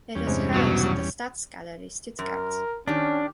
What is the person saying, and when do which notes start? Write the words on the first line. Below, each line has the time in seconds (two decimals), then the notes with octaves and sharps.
It is housed at the Staatsgalerie Stuttgart.
0.15 E2 G3 C#4
0.27 G2 C3 G#3
0.54 G#1 B2 F#3
2.19 F#2 A#4
2.88 D#3 C#4 D4 G4